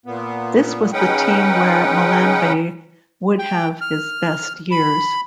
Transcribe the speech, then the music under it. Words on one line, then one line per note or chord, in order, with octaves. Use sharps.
This was the team where Mellanby would have his best years.
A#2 B3
C#3 C#4 D#4 B4 F#5 G5
G5
F6
B5